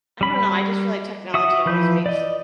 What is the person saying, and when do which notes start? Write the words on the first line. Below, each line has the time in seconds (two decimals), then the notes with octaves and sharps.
I don't know, I just feel like technology always makes
0.21 G3 B5
1.34 F#4 E5 D#6
1.66 E3 F3 B4 G6
2.06 D5 D#5